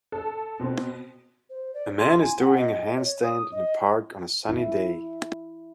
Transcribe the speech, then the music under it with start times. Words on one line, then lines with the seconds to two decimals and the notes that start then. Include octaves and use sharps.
A man is doing a handstand in a park on a sunny day.
0.12 A4
0.60 B2 C4
1.50 C5
1.74 D5
1.97 C6
2.20 G#5
2.39 F#5
2.57 D#5
2.97 C#5
3.23 D#6
3.52 D#5
4.49 E4